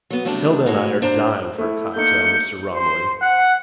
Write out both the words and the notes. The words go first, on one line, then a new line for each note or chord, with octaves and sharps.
"Hilda and I are dying for a cocktail, Mr. Romilly."
F#3 B3
C3 F#3 G3 A3 D4
A2 F#4 C#5
D4 C5 A#5
A3 E4
A3 A#3 D#4 G6 C#7
C5
F#5